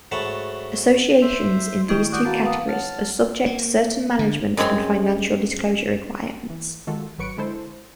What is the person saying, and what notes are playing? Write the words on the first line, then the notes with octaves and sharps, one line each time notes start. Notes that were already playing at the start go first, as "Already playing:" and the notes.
Associations in these two categories are subject to certain management and financial disclosure requirements.
G#2 F#3 A3 F#5 A5 B5
C5 E5
D#3 A3 E4 D#5
F#4 D5 D#6 F#6 G6 D7
A#3 B3 F#4 A5
B4 F5 D#6
C#5 F#5 A5 F6
A#3
D3
F#2 G#3 C4 C#5 B5 C6
E3
D#3 G#3 F4 F#4 A4
G#1 F#3 B4 C#6 C#7 D7
D3 G#3 E4 A4 C5